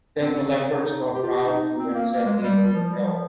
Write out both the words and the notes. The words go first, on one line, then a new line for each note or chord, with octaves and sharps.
Then the leopards got proud too and said they wouldn’t help.
C4
D#4
G4
F4
G4
D#4
C4
A#3
A#3
G#3
G#3
G3
F3
G3
F3